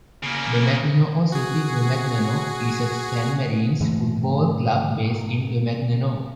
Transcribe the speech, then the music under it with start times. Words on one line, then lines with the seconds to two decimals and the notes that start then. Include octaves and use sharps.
Domagnano or simply Domagnano, is a Sanmarinese football club, based in Domagnano.
0.23 C#3 A#3
1.32 F#4 G#4
3.81 G#2 E3 A3